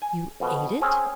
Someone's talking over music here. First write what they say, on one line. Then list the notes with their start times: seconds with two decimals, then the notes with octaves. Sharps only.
"You ate it?"
0.02 G#5
0.40 F2 B2 D#5
0.81 C4 C#4 G#4